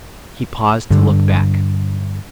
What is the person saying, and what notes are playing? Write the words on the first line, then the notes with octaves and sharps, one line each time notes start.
He paused to look back.
G2 D3